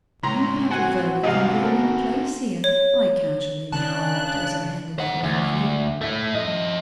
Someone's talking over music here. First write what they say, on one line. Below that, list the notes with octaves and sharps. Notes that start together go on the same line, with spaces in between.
"You have a very convenient place here," I casually remarked, as I handed out my money.
C#2 A2 G#3 A#5 C6
B3 C4 D#4 F#4 F#5 G#5
G#2 C3 C4 D4 G#4 D#5 F5
A4 A#4
C#5
C#3 D4 A5 F#6
C5 F#5
D2
A3 E4
F3 D#5